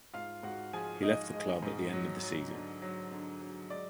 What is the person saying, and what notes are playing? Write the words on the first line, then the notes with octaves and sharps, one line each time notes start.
He left the club at the end of the season.
G#2 F4 F5
G#2 F#4 F#5
F3 G#4 G#5
G#3 D#4 D#5
G#3
G#2
F#3
F#3
D3
F#3
D3
F#3
G#3 D5